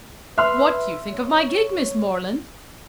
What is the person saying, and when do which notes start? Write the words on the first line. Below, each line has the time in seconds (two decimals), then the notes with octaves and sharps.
What do you think of my gig, Miss Morland?
0.38 B4 E5 C6 F6 F#6
1.13 C#5